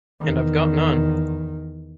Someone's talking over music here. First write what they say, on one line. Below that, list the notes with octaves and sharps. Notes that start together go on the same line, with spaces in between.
And I’ve got none.
E2 D#3